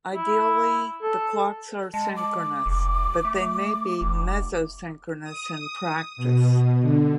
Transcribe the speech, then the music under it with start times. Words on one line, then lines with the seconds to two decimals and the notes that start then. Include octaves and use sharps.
Ideally, the clocks are synchronous, but they may be mesochronous in practice.
0.15 E4
1.02 A4
1.94 G#3 A5
2.17 D6
2.66 F1
3.25 A3
4.01 F1
5.24 D#6
6.17 B2
6.82 D3